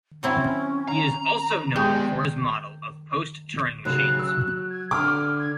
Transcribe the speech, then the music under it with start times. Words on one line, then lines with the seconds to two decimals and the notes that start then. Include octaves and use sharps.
He is also known for his model of Post-Turing machines.
0.23 F#3 C4 C#4 E4
0.88 A#5
1.76 G#3 B3 G4 G#4 G5
3.85 D#2 C#3 F#3 F#6
4.19 E6
4.70 G#6
4.91 D3 D6 F6
5.40 G#6